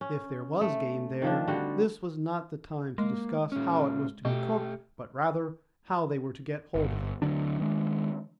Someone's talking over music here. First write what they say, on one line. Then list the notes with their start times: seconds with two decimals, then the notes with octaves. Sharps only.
If there was game there this was not the time to discuss how it was to be cooked, but rather, how they were to get hold of it.
0.01 C#4
0.61 A3
1.22 D#3 F3 D4
1.48 D3 G3 C4 F#4
2.98 G#3 A#3
3.52 A#2 C#4
4.25 B2 A3 G4
6.75 G1
7.22 D2 D3 F#3 D4
7.59 D#3 G#3 D4